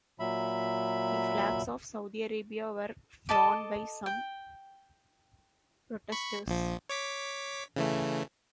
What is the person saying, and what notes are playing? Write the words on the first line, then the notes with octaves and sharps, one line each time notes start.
The flags of Saudi Arabia were flown by some protesters.
A#2 F#3 E5 B5
A4 D#5 A5 D6
G5
B5 C#6
A#1 F3
C#5 D6 B6
C#3 E3 A3